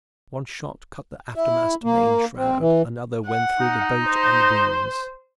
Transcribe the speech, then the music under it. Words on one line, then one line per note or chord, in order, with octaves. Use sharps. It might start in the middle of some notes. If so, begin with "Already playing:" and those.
One shot cut the aftermost main-shroud; another went through the boat on the booms.
E4
A#3
C4
E3
F#5
D#4
C5